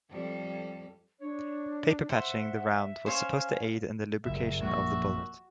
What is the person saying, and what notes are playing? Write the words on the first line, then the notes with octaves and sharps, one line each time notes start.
Paper patching the round was supposed to aid in the lubrication of the bullet.
F2 G3 A4
D4 C#5
C5 E5 F#5
C#4 C5 C#5 F5
F#1 A#2 G3 E5
A#1 F#2 F#4